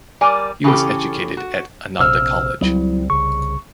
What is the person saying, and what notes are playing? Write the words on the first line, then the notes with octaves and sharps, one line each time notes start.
He was educated at Ananda College.
G3 A#4 D5 G#5
C#3 E3 C#4 G4 A4
F#4
A#1 C3 C5 E6 F6
C#2 F#3 G3 C4 E4
C2 C#3 C#6